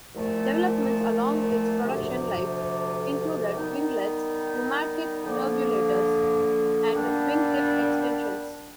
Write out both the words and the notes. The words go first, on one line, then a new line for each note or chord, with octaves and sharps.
Developments along its production life included winglets, pneumatic turbulators, and wingtip extensions.
C2 A#2 F3 A3
D2 C3 F3
D#3 G3 B3 D#4
D3 F3 A#3
A#2 G3 B3 D4